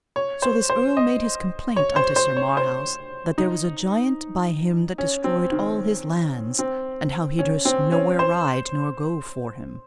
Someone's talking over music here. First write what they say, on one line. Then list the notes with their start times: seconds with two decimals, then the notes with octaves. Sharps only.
So this earl made his complaint unto Sir Marhaus, that there was a giant by him that destroyed all his lands, and how he durst nowhere ride nor go for him.
0.16 C#5
0.42 C5
0.70 C5
0.97 D#5
1.76 C#5
1.96 C5
2.16 C5
2.37 C#5
2.57 C5
3.38 D#4
4.98 C#4
5.24 C4
5.52 D#3
6.59 C4
7.39 C#4
7.65 C4
7.92 C#4
8.19 C5